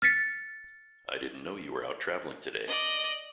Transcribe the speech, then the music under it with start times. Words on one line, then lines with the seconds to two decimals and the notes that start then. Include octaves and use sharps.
I didn't know you were out travelling today.
0.02 F6 A6 B6 C#7
2.67 D5 D#5